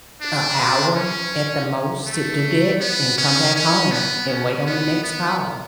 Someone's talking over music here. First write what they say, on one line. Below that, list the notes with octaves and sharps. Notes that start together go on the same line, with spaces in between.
a hour at the most to do that, and come back home, and wait on the next call.
D4
C#4
A3
B3
C#4
C#4
B3
C#4
B3
B3